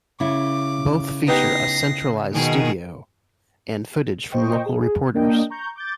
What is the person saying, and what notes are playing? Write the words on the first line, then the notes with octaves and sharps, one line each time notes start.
Both feature a centralized studio and footage from local reporters.
C#3 E4 D6
B3 D#4 G4 A#6 C7
B2 D#3 G#4
A#2 C5 D#5 G5 C#6
G#4
A#3 D4 A#4 D#5 G5
A#5 C#6 G6
D6 G6 A6